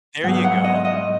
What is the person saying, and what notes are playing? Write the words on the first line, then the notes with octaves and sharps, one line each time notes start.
There you go.
G#2 F#3 B3 F#5
F#5
D#5
D#5